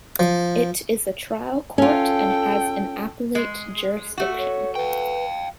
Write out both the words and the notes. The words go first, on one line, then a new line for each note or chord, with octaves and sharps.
It is a trial court and has an appellate jurisdiction.
F3
C#4 F4 A4 G5
G#3
A3 F#4 G4
C#5
B4 F5 G5